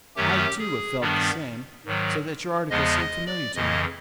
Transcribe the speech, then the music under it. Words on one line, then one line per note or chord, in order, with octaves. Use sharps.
I, too, have felt the same, so that your article seemed familiar to me.
F#2 D#3 F#3 A3 C#4 G4
G#4
G2 D#3 G3 B3 D4
G#2 D#3 F#3
E2 C#3 F3 G#3 B3 D#5
D#5
D5
F2 C#3 E3 D#5